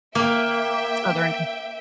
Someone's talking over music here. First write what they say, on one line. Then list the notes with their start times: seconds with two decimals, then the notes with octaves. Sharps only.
Southern C
0.15 A#3 E5 G5